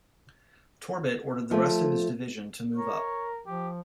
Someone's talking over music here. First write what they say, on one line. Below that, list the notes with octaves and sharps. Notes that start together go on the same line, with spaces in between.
Torbert ordered the rest of his division to move up.
F3 A3
A#4 C#5
F3 G4